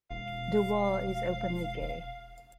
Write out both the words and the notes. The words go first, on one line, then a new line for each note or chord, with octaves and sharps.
DuVall is openly gay.
E1 F5